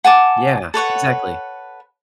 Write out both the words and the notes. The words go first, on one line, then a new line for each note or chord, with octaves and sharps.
Yeah, exactly.
F#5 G#5 A5 D6
A4 B4 C#5 F#5